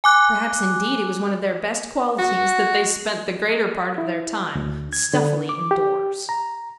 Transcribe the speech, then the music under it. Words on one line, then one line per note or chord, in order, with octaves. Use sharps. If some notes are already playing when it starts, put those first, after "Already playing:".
Perhaps, indeed, it was one of their best qualities that they spent the greater part of their time stuffily indoors.
G#5 D6 F#6
F#4
E4
D2
G#6
D3
D6
G4
A#5